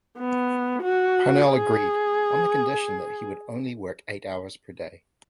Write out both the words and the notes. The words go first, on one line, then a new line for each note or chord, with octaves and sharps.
Parnell agreed, on the condition that he would only work eight hours per day.
B3
F#4
G#4